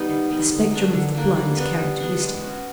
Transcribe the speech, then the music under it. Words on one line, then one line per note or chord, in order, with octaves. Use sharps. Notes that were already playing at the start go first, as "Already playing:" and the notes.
The spectrum of the blood is characteristic.
Already playing: G3 B3 D#4
D#3
G3 B3 D#4
D3
F#3 A#3 D4
D3
F#3 A#3 D4
G3
B3 D4
G3
B3 D4
G#3
C#4 F#4